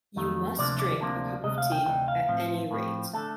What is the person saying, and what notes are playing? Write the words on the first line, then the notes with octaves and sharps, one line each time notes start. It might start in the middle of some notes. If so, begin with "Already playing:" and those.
You must drink a cup of tea at any rate.
F2 D#3 A3
D2 C3 F3 A#3 D4 D5
D5
D2 C3 F3 A#3 D4
D2 C3 D#5
F5
G5
D2 C3 D#4 G5
F5
A2 F3 C4
A2 F3 C4
D3 A3 A4